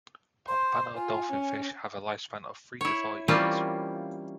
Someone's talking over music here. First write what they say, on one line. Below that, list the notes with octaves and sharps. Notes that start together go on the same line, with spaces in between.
Pompano dolphinfish have a lifespan of three to four years.
C5 C6
F4 G#5
C#4
E4 C#5
E3 G3 A#3 C4 C#4 F4